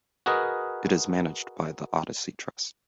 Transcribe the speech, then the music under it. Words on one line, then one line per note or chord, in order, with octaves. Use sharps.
It is managed by The Odyssey Trust.
F#4 G#4 A#4 B4 D#5